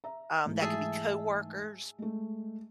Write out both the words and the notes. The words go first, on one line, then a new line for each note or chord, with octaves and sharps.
um, that can be coworkers.
E5 A#5
G#2 E3 A3
G#4 E5 A5
G#3 A3